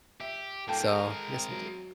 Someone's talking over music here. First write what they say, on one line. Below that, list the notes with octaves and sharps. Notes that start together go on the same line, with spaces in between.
So, yes, I'm doing work
G4 E5
G#2 A#3 A4 G5 A5
G#3 A#4
C4
F#3